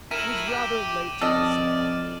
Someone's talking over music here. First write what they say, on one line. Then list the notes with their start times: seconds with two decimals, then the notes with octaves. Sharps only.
It was rather late in the sale.
0.11 E4 A4 A#4 D#7 E7 F#7
0.48 G4
1.21 F2 A4 D5 D#5 F6